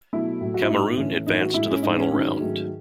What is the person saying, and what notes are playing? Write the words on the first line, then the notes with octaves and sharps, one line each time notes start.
Cameroon advanced to the Final Round.
B2 F#3 A3 E4
A2 F#3 A3
F#4
E4
A2 F#3 A3 D#4
A2 E3 A3 C#4
A2 E3 A3 D#4
F#4
A2 G#3 E4
C#4
A2 G#3 D#4
C#4
G#2 D#3 F#3 A3 C#4
G#2 D#3 F#3 A3